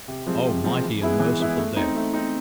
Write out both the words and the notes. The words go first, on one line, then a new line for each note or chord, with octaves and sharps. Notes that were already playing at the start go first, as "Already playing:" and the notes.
Oh, mighty and merciful Death!
C3
F3 G#3 C4
C3
F3 G#3 C4
E3
G#3 B3 E4 G#4
E3
G#3 B3 E4 G#4
A3
C4 D#4
A3
C4 D#4